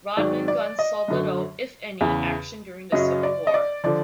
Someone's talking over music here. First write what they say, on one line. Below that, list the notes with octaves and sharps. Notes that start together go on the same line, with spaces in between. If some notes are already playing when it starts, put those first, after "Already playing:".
Rodman guns saw little, if any, action during the Civil War.
G#2 D#3 F#3 D5
D5
D#5
F#2 D3 F#3
E2 C#3 E3
F#2 C#3 F#3 D#5
D5
D#5
D5
D3 F3 D5